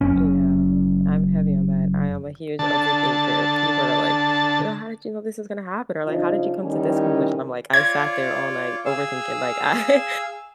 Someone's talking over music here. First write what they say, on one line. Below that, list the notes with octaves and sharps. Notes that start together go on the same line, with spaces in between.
Yeah, I'm heavy on that. I am a huge overthinker. People are like, "You're how did you know this was gonna happen?" Or like, "How did you come to this conclusion?" I'm like, "I sat there all night overthinking," like, I
F#1 F#2 C#4
D3 A5
C#3 F3 D4 D#4
A2 D#3 G3 C#4
F4 C#5 D5 G#6
G#4 F5 E6